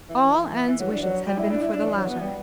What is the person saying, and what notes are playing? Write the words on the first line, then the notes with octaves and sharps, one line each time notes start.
All Anne's wishes had been for the latter.
E3
E3
E3
E3
F#3
D4
F#3
G3
E4
D4
E4
D4
E3
F#3
B3
G3